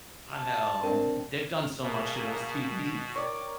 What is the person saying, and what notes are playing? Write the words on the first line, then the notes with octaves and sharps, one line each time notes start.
I know, they've done so much to those TVs.
A5
C4 D4 A#4
B2 A#3 G#4
A#4 C#5 D5 G5